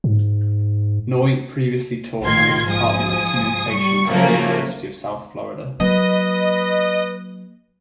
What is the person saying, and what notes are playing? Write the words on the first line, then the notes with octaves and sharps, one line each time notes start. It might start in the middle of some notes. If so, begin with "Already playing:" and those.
Noy previously taught at the Department of Communication at the University of South Florida.
G#2
A#1 A2 D#3 F4 C6 G#6
G#2 F3 G#5 D#6
G3 C#6 C#7
C#3 F3 F#3 A3 A#3 C#4
F#3 A#3 B4 D#5